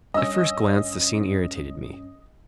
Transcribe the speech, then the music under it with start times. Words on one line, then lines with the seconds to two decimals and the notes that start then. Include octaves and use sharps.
At first glance the scene irritated me.
0.14 G2 C#4 D#5 E6